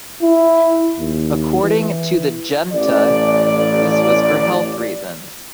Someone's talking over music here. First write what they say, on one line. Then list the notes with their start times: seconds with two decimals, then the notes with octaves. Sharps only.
According to the junta this was for health reasons.
0.22 E4
0.98 D#2
1.62 E3
2.73 A1 D5